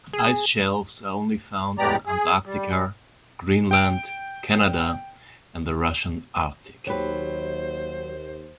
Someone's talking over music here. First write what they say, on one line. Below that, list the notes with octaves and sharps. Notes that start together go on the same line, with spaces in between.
Ice shelves are only found in Antarctica, Greenland, Canada and the Russian Arctic.
G#4
A2 G#3 B3 G4 D5 A#5
G#4
G3
G5 D7
D#2 F#3 G4 B4 C5